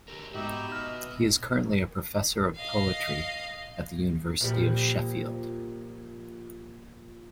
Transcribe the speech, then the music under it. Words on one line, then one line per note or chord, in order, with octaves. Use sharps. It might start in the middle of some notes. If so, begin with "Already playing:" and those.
He is currently a Professor of Poetry at the University of Sheffield.
D3 G4 A#4
G#2 B3 D#4 F#4 G4 E5
D#5 F6
D#5 F5
A#2 F3 G3